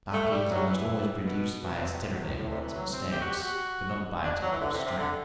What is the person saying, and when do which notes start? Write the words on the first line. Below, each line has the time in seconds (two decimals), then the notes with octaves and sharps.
Anarchy is almost always produced by its tyranny or its mistakes, but not by its want of strength.
0.13 A3
0.31 G3
0.50 F#3
0.69 E3
1.25 B2
1.63 B2
1.75 C3
1.88 B2
2.00 C3
2.12 B2
2.25 A2
2.37 A2
2.49 C3
2.61 E3
2.74 F#3
2.93 C4
3.12 G4
3.21 F#4
3.30 G4
3.40 F#4
4.24 D4
4.42 F#3
4.52 E3
4.61 D3
4.73 C3
4.86 C3
4.98 D3